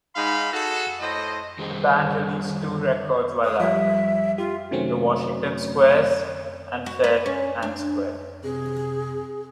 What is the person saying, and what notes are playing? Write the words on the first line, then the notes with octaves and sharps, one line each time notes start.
The band released two records while active; "The Washington Squares" and "Fair and Square".
G#2 D#4 F5 B5
F#4 G#4 A4
A2 C5 D#5
D#3 G3 G4 G#4 C5
D#6
F3 G3 E5
F4 G4
C3 D#3 F#3 A3 C4 C#4
F#4
B4
C#4
D4
C3 G#4